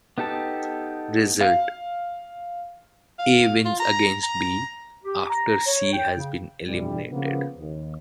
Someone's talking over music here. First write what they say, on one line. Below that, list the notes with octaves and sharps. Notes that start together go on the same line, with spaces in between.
Result: A wins against B, after C has been eliminated.
B3 D#4 G4 A4 A5
F5
F5
F4
A#5
A#5
G4
A#5
C#5
G5
C#3
G2 B2 D3 E3 G3
C#3 F3 A#3 B3
D#2